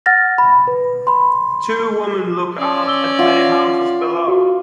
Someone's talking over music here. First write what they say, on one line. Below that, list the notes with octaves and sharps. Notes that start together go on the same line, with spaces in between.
Two women look out at many houses below.
F#5 F6 A6 A#6
B5
B4
B5 C6
C#4 D5
D6 E6 G7
F4 E5 F#5
F#4